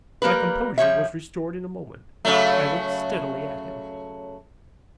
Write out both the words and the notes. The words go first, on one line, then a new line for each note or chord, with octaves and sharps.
My composure was restored in a moment. I looked steadily at him.
G3 A#3 A#4 B4
F3 G3 C#5 E5
C#3 F#3 A3